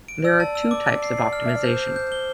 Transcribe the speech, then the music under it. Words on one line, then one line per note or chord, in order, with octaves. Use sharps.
There are two types of optimization.
D7
D5 E6
A5
E6
D6
D6
C7
C7
F6
E5 F6
D5
C5 G6
G6
G6
G7